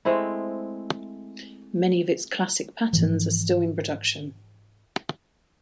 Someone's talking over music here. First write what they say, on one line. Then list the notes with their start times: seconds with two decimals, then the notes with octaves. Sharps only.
Many of its classic patterns are still in production.
0.05 G#3 A3 C4 E4
2.93 G#2 E3 F3